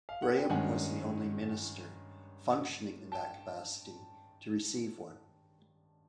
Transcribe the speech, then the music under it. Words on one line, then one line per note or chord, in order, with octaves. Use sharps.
Graham was the only minister, functioning in that capacity, to receive one.
F5
F#5
G5
G2 D#3 G#3 C#4 F#5 G#5
G5 A5